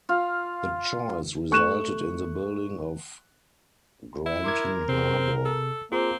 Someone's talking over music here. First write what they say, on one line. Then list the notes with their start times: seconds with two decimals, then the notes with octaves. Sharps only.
The choice resulted in the building of Granton Harbour.
0.09 F4 F5
1.51 A3 C#6 F#6 E7
4.26 E4
4.44 A#4 C6 D6 G#6
4.89 C3 C4 G#4
5.45 A4
5.92 A#3 C4 F4 G#4 C5